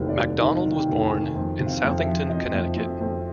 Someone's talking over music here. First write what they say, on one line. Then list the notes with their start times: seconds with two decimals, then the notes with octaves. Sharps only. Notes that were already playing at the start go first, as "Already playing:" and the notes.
MacDonald was born in Southington, Connecticut.
Already playing: F1 D#2 G3 B4
0.09 D5
0.17 G3
0.40 D#3 D#5
0.65 D#3
0.72 G5
0.89 F1
1.04 G#5
1.11 D#3
1.35 F2
1.59 C3
1.67 F5
1.83 F2
1.98 E5
2.07 F3
2.29 F3 D#5
2.53 F2
2.76 F2
3.00 F2